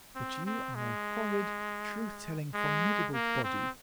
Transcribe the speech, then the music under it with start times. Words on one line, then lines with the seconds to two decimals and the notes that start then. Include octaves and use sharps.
But you are a horrid, truth-telling, formidable body.
0.16 C4
0.46 C4
0.75 G#3
2.54 G#3
3.14 A#3
3.44 C4